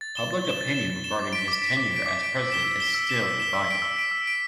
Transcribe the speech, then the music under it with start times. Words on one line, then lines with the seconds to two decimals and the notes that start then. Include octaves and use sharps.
Public opinion regarding his tenure as president is still divided.
0.01 A6
0.15 E7 G7
0.31 A6
0.45 E7 G7
0.61 A6
0.74 E7 G7
0.90 A6
1.04 E7 G7
1.19 D6
1.33 B6 D7
1.48 D6
1.62 B6 D7
1.77 D6
1.91 B6 D7
2.06 D6
2.22 B6 D7
2.36 E6
2.50 B6 E7 G7
2.64 E6
2.80 B6 E7 G7
2.94 E6
3.09 B6 E7 G7
3.23 E6
3.38 B6 E7 G7
3.54 E6
3.67 B6 D7
3.82 E6
3.96 B6 D7
4.11 E6
4.26 B6 D7